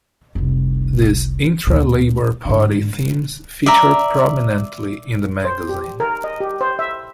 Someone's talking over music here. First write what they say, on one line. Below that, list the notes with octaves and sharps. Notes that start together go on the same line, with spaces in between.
These intra-Labour Party themes featured prominently in the magazine.
F1 C2
D2 A#2
G#2 D3
D5 E5 A#5
C5
G4
A#4
D#5
G4
C5
E5